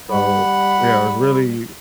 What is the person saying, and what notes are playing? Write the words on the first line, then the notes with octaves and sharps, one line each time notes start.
so, yeah, it's really
G3 F#5 B5